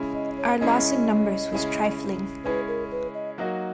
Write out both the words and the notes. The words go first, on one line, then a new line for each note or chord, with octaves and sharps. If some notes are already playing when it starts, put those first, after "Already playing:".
Our loss in numbers was trifling.
Already playing: C#3 G#3 C#4 E4
D#5
C#5
C#3 G#3 C#4 E4 D#5
C#3 G#3 C#4 E4
C#3 G#3 C#4 E4 B4
A#4
B4
D#5
F#3 A#3 D#4 F#4